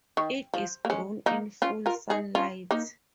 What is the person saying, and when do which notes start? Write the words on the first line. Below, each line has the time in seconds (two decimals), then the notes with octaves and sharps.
It is grown in full sunlight.
0.17 D#3
0.54 F3
0.85 A#3
0.90 G#3 C#4
1.26 A#3 D#4
1.62 C#4 F4
1.86 F4 A#4
2.10 D#4 G#4
2.35 C#4 F4
2.71 A#3 D#4